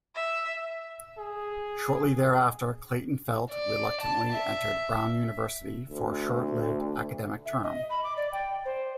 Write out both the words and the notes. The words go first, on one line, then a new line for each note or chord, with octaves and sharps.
Shortly thereafter, Clayton-Felt reluctantly entered Brown University for a short-lived academic term.
E5
G#4
D5
A5
E5
D2
E5
D#5
B5
D6
D5
G5
C5